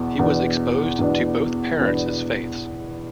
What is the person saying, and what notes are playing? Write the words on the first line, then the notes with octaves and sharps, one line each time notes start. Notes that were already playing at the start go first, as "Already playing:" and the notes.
He was exposed to both parents' faiths.
Already playing: E2 B2 B3
E2 B2 B3 D4
E2 B2 B3 D4
E2 B2 B3 D4